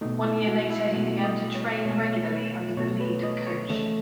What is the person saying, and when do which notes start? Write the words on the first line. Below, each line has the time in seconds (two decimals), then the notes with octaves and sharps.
One year later he began to train regularly under the lead of coach.
0.01 B2 A3 D#4
0.24 E4
0.47 F#4
0.70 E4
0.93 B2 A3 F#4
1.24 D#5
1.55 C#5
1.85 B2 A3 C#5
2.77 B2 A3 C#5
3.00 B4
3.23 D#5
3.47 C#5
3.69 C#3 E3 A3